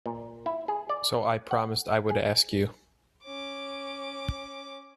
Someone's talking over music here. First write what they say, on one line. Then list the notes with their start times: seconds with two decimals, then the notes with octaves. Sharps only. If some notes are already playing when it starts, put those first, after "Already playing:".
So I promised I would ask you.
0.06 A#2
0.46 E4
0.68 G#4
0.89 D5
1.51 F#5
2.10 G#4
3.24 C#4 D6